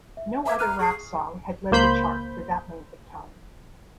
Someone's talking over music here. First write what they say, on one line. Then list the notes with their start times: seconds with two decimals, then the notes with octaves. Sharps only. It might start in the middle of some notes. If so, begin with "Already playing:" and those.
No other rap song had led the chart for that length of time.
0.17 E5
0.46 B4 E5 D6 G#6
0.59 A#5 F6 F#6 D#7
0.79 G#4 C#6 C7
1.71 C#2 A#3 C5 B5 G6